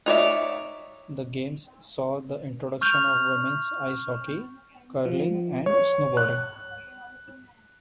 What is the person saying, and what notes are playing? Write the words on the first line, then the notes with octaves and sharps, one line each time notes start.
The Games saw the introduction of women's ice hockey, curling and snowboarding.
D#4 C#5 D5 E5
C#6 F6 G6 F7
F3
C#5
F#6